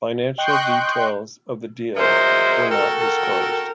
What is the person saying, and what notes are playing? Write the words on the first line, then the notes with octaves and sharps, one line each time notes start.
Financial details of the deal were not disclosed.
D#5 G5 C6 C#6 F#6 G6
F#3 G#3 A#4 C5 E5
F#4 A4 A#4 G5
A#4